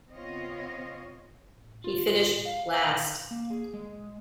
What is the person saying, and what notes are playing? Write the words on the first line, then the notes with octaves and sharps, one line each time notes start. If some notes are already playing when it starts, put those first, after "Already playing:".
He finished last.
C#3 B3 C4 F4 C#5 D#5
F4
F5
A#3
G#4
G#3